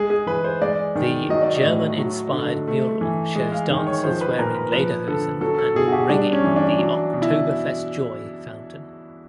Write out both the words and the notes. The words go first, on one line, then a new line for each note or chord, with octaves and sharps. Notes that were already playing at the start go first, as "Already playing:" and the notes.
The "German inspired" mural shows dancers wearing lederhosen and "ringing" the "Oktoberfest Joy" fountain.
Already playing: G#3 G#4
G#4
E3 B4
C5
G#3 D5
D#3
F#3 D#5
D5
D#5
A2
F#3
D3
A3
E3
G#3
F5
D#3
C#5
F3 C5
B4
A#2 A#4
B4
F3 B4
D3 A4
F#3 A4
A4
B2 G#4
F#4
G4
G3 D4
C#4
E3
D4
F#3
B2
E4